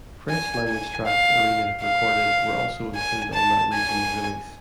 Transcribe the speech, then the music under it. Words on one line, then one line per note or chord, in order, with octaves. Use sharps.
French language tracks Arena recorded were also included on that region's release.
G#5
G#5
F5
F5
G#5
A5
G#5